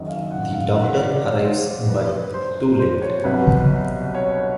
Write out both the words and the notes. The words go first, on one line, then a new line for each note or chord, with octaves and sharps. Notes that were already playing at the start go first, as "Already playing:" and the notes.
The doctor arrives, but too late.
Already playing: F#1 F#2 D#3 F#3 D#5
F5
F#5
F5
F#5
D5
D5
C#5
C5
B4
C5
C5
C#5
C2 B2 F#3 B4
C#5